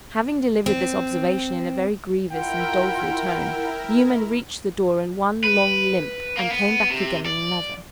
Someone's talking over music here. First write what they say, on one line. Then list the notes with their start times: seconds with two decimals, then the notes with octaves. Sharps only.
Having delivered this observation in a very grievous and doleful tone, Newman reached the door in one long limp, and came back again in another.
0.66 C4
2.31 E4 F4 A#4 F#5 G5
5.44 B4
6.37 A#3
6.50 B3
6.90 C3
7.26 D5